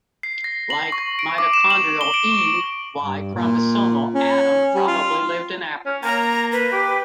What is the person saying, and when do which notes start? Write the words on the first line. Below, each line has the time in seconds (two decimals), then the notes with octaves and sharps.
Like mitochondrial "Eve", Y-chromosomal "Adam" probably lived in Africa.
0.23 C7
0.44 A#6
0.70 F#7
0.92 C#6
1.19 D7
1.38 D6
1.53 E7
1.70 F#7
2.01 G7
2.14 D7
2.32 C#6
2.98 G2
3.35 A#2
4.14 C#4
4.75 G3
4.87 F4
5.86 C#4
6.04 A#3 A#5
6.53 B4
6.72 G4